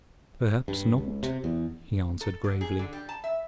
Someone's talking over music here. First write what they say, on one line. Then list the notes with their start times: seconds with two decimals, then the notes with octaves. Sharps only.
"Perhaps not," he answered gravely.
0.68 G2
0.98 C#2
1.23 C3
1.44 E2
2.21 A4
2.44 D3
2.61 G#4
2.79 D3
2.93 G3
3.09 A5
3.24 E5